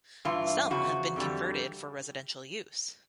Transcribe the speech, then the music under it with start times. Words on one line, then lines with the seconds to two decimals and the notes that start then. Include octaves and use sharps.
Some have been converted for residential use.
0.25 G2 E3 F4
0.70 E2 C#3 F3 F#4
1.16 F2 D3 G3